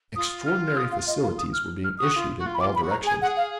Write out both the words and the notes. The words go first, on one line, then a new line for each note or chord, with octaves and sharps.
Extraordinary facilities were being issued in all directions.
F4 D#6
F6
F6
D#6
F5
D#5
F5
D#6
F6
F6
F#4 D#6
F4
F#4
F4
B5
F4 D6
B5
F#4
A#5
G#4
G#5
G#4 F#5
F5